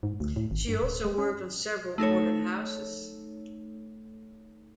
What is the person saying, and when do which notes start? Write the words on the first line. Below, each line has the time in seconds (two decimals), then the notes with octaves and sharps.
She also worked on several modern houses.
0.03 G#2
0.20 D2
0.36 A2
0.51 G#1
0.68 G2
0.82 D1
1.05 G#3
1.18 C#4
1.98 A3 D#4 A4 C#5